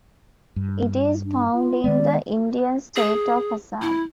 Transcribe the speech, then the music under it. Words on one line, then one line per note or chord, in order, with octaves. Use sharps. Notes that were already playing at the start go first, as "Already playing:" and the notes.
It is found in the Indian state of Assam.
G2
D4
F4
D#3 G#3 B3 D5
G#4
E4